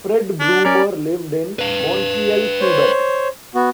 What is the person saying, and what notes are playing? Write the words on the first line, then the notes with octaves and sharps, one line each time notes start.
Fred Bruemmer lived in Montreal, Quebec.
D4
C#4 A#4 D5
B4 F5
C5 C#5
B3 F#4